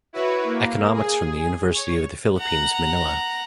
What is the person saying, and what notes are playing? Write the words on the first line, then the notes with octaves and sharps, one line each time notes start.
Economics from the University of the Philippines Manila.
E4 F#4 B4 C#5
A#3
G#4
C#5
F#5 A#5